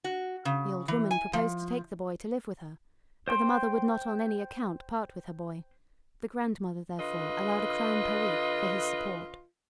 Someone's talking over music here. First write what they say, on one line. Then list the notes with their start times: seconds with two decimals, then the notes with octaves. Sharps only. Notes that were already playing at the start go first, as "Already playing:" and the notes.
The old woman proposed to take the boy to live with her, but the mother would not on any account part with her boy; the grandmother, therefore, allowed a crown per week for his support.
0.04 F#4
0.45 C#3
0.88 E3
1.11 G#5
1.33 F3
3.28 C5 G5 C6
7.00 D3 F4 B4 D#5